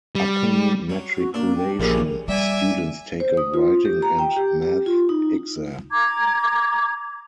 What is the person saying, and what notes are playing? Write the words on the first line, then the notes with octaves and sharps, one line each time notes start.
Upon matriculation, students take a writing and math exam.
G3
F#3
F#4
A#3 D4
G5
A#1 F#2 C#3 E3 G4
G3 D5 E5 G#5
C5
D#6
F4
G4
A#5
G5
G4
G4
F4
D#4
A#5 D6 G#6